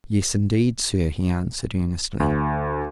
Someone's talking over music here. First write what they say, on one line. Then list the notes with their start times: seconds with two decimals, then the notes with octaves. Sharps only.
"Yes, indeed, sir," he answered, earnestly.
2.20 D2